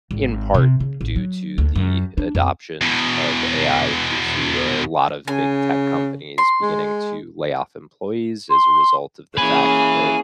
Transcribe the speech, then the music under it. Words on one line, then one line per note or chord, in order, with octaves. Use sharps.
in part, due to the adoption of AI, you see a lot of big tech companies beginning to layoff employees as a result of the fact that
G#1
C3
C#3
A1
F#3
D2
F#2
D4
F2
E2 B2
C#3 G#5
C6
G#3
C6
A#3 C#4 E4 G#4 B4 G#5